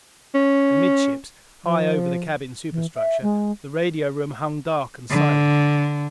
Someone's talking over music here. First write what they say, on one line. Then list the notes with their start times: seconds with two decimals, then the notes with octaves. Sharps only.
Amidships, high over the cabin superstructure, the radio room hung dark and silent.
0.34 C#4
1.65 F3
2.72 E3
2.96 E5
3.23 G#3
5.10 D3